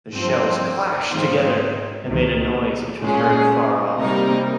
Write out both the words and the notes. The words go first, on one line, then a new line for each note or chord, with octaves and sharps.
The shells clashed together and made a noise which was heard far off.
G2 F3 C4
G#2 D#3 G#3 C4 F4
C#2 C3 D#3
A#2 G#3 C#4 G#4
C3 G3 A#3 D#4 A#4